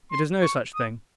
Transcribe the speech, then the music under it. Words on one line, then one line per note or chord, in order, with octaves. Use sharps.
It is no such thing.
C6
C#6
D#6